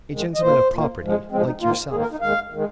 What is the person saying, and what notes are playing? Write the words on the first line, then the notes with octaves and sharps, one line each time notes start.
"A gentleman of property, like yourself."
F2 D#3 G#3
D#5
A#2 A#3 C5
A#2 A#3
G#2 F3 G#3
G#2 F3 G#3 C4
D#4
G#2 D#3 A#3 F4
G#2 D#3 A#3 G#4
A#4
D#4
D#2 D#3 G#3 F5
D#3 G#3